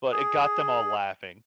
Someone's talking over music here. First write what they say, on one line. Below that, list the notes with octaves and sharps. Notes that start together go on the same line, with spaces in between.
but it got them all laughing.
G#4